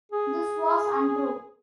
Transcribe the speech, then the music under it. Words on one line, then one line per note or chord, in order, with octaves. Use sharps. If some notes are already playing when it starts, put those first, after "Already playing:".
This was untrue.
G#4